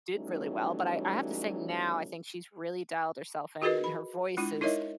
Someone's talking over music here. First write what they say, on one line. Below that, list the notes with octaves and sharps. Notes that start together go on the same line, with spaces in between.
did really well. But I I have to say now, I think she's really dialed herself in, and her voice has
E3 F#3 G3 A3 C#4 D#4
F4 F#4 G#4 A#4 B4 D#5
B5
G#3 D4 E4 F4
D#4 E4 A#4 C#5 D#5 E5